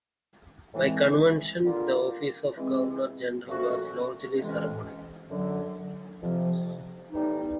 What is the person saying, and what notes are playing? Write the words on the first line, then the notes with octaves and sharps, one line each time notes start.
By convention, the Office of Governor-General was largely ceremonial.
A2 E3 G#3 C4
D3 G3 A#3 D4 F4
E3 G#3 C4
A#2 F3 A3 C#4 F#4
F2 C3 E3 G#3 C#4
F#2 D3 F#3
F2 C3 F3
A2 E3 G3 B3 D#4